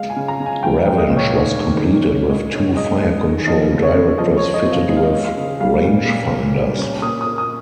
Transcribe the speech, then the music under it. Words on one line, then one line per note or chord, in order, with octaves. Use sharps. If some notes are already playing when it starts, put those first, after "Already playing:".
"Revenge" was completed with two fire-control directors fitted with rangefinders.
Already playing: G#3 F5
G#5
C#3
A#5
C#3
G#5
F3 G5
F5
F3
D#5
A#2
C#5
D#3 C#5
D#3
D#3
C#3
G#3
C#4
G#3 D#5
G#3
D#3
F3 D#5
C#3
C#5
C#3
F3 D#5
C#5
F3
D#5
C4
F5
G#3 D#5
F5
D#5
G#3
F5
C#3
G3 F5
A#2
A#2
A#3
G3
C#4
A#3 D#6
D#6
A#3
D#6